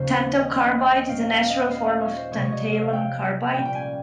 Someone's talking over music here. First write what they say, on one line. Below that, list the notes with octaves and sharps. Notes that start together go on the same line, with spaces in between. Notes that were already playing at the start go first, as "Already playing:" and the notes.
Tantalcarbide is a natural form of tantalum carbide.
Already playing: D#2 C#3 F3 A#3 C#4 C5
D#5
C#5
D#5
G5
A#2 G#3 C#4 F5
F5
D#5
F5
D#5
C#5
C5
C3 F3 G#3 C#5
C#5
D#5
F5
G5
A#2 G3 A#3 C#4 G5
G5
G#5